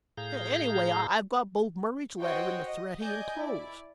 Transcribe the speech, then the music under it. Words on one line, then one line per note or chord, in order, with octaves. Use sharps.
Anyway, I've got both Murray's letter and the threat he enclosed.
A2 G#4 F5 A#5 G6
F#4 C5 C#5 D#5 G5
D#5
D5 D#5 G#5 G6
E4 D5